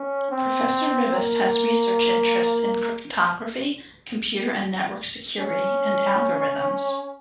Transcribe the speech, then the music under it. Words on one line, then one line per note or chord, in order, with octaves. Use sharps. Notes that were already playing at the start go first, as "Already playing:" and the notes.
Professor Rivest has research interests in cryptography, computer and network security, and algorithms.
Already playing: C#4
C4
A#3
C#4